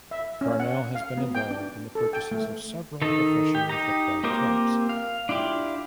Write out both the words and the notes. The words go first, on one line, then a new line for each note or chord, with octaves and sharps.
Farnell has been involved in the purchases of several professional football clubs.
E5
C#4
F#5
F5
B3
G5
D4
A4
G5
A3
D#3 D#4 A4 A5
G4
D#4 G4 A#5
A#3 C4 F4 G4 A#4
F5
D4 E4 F4 G4